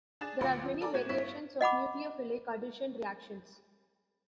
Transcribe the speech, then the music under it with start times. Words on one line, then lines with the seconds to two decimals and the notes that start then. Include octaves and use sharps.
There are many variations of nucleophilic addition reactions.
0.21 D4 G#4 A6 E7
0.41 D2 A#2 F4 F#5 C6 D6
0.62 F3 C4
0.81 A4 A#4 D5 G#5 A#5 D6
0.93 A2 F#4 G#6 E7
1.09 G2 B3 E4 C#5 B6
1.61 D#5 F#5 B5 D6